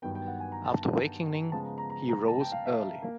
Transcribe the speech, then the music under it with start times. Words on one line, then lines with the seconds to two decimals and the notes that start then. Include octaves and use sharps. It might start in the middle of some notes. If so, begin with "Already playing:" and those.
After wakening, he rose early.
0.02 G2 D#3 F#3 B3 G5
0.15 G5
0.28 F#5
0.40 G#5
0.52 A#5
0.65 A5
1.52 C#3 F3 G#3 B3 A5
1.65 A#5
1.78 A#5
1.90 A#5
2.09 A#5
2.28 A5
2.40 G5
2.52 F5
2.65 E5
3.02 A#3